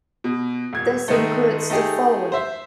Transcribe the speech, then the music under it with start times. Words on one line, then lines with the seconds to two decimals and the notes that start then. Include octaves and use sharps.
This includes the following.
0.24 B2
0.73 D#1 G#6
1.08 G#2 D#3 G#3 A3
1.70 A3 D#4 G4 G#4
2.32 C5 E5